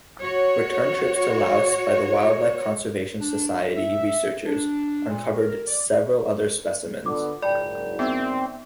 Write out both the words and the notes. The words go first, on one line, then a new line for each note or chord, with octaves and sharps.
Return trips to Laos by the Wildlife Conservation Society researchers uncovered several other specimens.
F#4 C#5
D4
E5
D4
A#2
A#4
D5
D3 B3 F4 D6
F#1 G#2 D5 G5 A5 B5
B3 C4 D#4 E6